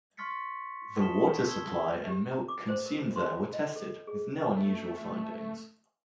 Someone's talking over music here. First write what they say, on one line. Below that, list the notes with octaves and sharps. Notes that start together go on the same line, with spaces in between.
The water supply and milk consumed there were tested, with no unusual findings.
C6 C#6 F6 A6 B6 C#7
A5 D#6 F6 B6 E7 G7
E6 G#6 G7
G4
A#5
D6
C5
A#4
C6
F4
D#5
A4
G#4
A3